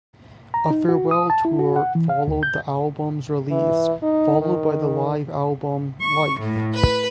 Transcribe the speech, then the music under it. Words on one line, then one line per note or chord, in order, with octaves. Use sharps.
A farewell tour followed the album's release, followed by the live album "Life".
A#5
D#4
F#4
D#6
A5
E4
F#4
F#5
E3
F5
D2
G6
E3
D#4
D#3
C#6
A2
B4